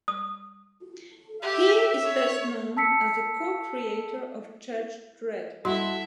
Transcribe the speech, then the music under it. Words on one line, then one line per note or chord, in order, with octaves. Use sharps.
He is best known as the co-creator of "Judge Dredd".
D#6
G4 E5
C#5
A5 E6 B6 C#7
G3 E4 F#4 A4 E5 C6